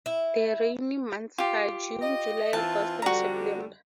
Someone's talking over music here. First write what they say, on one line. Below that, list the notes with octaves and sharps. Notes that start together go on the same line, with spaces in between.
The rainy months are June, July, August and September.
E4
F4 G4
D#5
E3 C4 F4 A5
F2 D3 G3 F#4 A#5